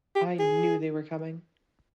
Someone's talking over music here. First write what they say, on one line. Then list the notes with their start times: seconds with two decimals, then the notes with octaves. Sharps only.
I knew they were coming.
0.15 G4
0.39 G#4